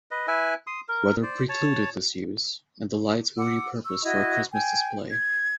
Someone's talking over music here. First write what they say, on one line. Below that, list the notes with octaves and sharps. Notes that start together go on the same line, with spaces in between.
Weather precluded this use, and the lights were repurposed for a Christmas display.
B4 D#5
E4 B4 E5 G#5
C6 D#6
A#4
C5 D5
C#5 A5
F#5 D6 E6
C#6 E6
E4 F#4 D#5
G5 G#5
G#6